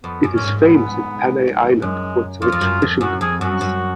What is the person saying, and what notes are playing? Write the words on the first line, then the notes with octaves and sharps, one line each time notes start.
It is famous in Panay island for its rich fishing grounds.
F2 B3
F#2
A#2 C#4
G#2
B3
F#2 G#3
F2 F4
F2
F#2
F2
F#2 F#4
F2 G#4
F#2 F#4
F#2